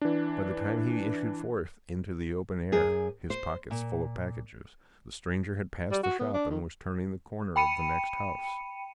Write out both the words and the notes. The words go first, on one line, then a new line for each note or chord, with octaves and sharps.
By the time he issued forth into the open air, his pockets full of packages, the stranger had passed the shop and was turning the corner of the next house.
E3 D4
F#2 G#4
C5
A#2
G3
F#4
B3
D4
D#3
G5 B5 C#7 D#7